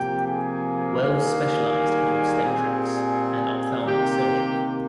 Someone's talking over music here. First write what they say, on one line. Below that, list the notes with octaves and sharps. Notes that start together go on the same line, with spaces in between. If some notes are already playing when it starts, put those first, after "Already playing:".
Wells specialized in obstetrics and ophthalmic surgery.
Already playing: C3 F3 A#3 G4 G5
G#4 G#5
D#3 G3 A#3
G#4 G#5
A#2 G3 C4
G#4 G#5
C3 D#3 A#3 G4 G5